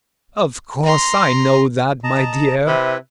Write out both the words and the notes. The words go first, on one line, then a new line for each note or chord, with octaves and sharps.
'Of course I know that, my dear.
A#5 C6
D#5 A5 A#5
C3 E4 B4